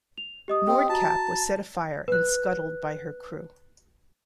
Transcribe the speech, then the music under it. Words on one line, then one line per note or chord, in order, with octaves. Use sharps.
"Nordkapp" was set afire and scuttled by her crew.
F7
G4 D#5 D#6
C4
F#4 A5 A#5
B4 F#6